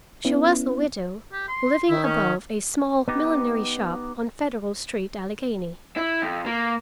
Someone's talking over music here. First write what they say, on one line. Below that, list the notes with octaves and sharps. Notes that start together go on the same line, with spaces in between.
She was a widow, living above a small millinery shop on Federal Street, Allegheny.
B3 C#4 E4
G4
C6
D#3 E4
C#4
B3 D#4 G4
E4
F2
A#3